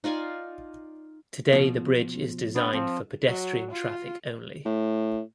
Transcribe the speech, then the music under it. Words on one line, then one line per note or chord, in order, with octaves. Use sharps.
Today the bridge is designed for pedestrian traffic only.
D#4 F4 D5 G#5
B2 F3
B3 D4
F3 C4
F#3
F4
A2